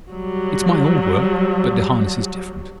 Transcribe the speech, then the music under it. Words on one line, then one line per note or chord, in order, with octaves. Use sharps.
It's my old work, but the harness is different.
F#3 G3